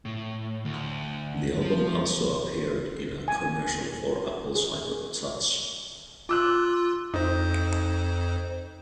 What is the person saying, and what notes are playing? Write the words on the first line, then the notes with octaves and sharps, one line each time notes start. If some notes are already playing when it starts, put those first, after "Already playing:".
The album also appeared in a commercial for Apple's iPod touch.
A2
D2
F3
G#5
F#4
G#4
F4 D6 E6 F#6
F2 D#4 C5